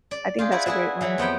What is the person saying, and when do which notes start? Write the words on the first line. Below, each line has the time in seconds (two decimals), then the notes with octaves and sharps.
I think that's a great one.
0.11 D5
0.39 F4 G4 G#4
0.52 E4 F#4 B4 D5
0.66 E4 F#4 G#4 B4 E5
1.01 E3 F#3 B5
1.18 F2 B3 G5 B5